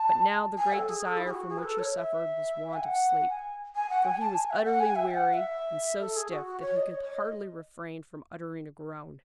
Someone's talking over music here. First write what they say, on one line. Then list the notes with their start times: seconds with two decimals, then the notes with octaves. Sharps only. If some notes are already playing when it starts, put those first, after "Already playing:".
But now the great desire from which he suffered was want of sleep, for he was utterly weary and so stiff that he could hardly refrain from uttering a groan.
Already playing: A5
0.58 G#5
0.73 A4
0.89 G#4
1.04 A4
1.17 E4
1.26 G#4
1.30 F#4
1.49 G#4
1.58 B4
1.64 A4
1.79 C#5
1.94 E5
2.73 G#5
2.84 F#5
3.29 G#5
3.75 G#5
3.89 F#5
4.05 G#5
4.20 A5
4.35 G#5
4.50 E5
4.65 F#5
4.80 G#5
4.95 E5
5.10 G#5
5.14 F#5
5.34 E5
6.01 A4
6.16 G#4
6.30 F#4
6.46 F#4
6.61 C#5
6.77 D#5
6.91 C#5
7.04 C#5
7.14 D#5